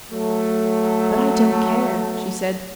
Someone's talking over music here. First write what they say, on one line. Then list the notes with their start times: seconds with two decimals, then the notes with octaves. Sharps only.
"But I don't care!" she said.
0.11 F#3 A3